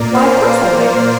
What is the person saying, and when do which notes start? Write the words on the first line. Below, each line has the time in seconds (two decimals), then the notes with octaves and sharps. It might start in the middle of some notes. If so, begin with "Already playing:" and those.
'Why, of course I would.
Already playing: A#2 A#3 A#4 D5
0.14 C5 F5